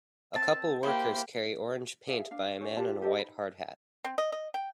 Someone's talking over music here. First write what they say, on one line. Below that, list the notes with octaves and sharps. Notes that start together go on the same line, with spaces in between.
A couple workers carry orange paint by a man in a white hard hat.
C4 A5
A#3 E4 G4 C5
G#4 E5 F5
D4 F5
D4 G#4 C5 C#5
F4 G4 A5
G4 A4 D5 D#5
D#4 B5
C4
D#5
D#5
G5